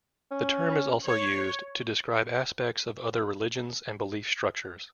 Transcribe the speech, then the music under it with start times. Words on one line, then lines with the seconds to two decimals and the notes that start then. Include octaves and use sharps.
The term is also used to describe aspects of other religions and belief structures.
0.32 C#4
1.06 C#5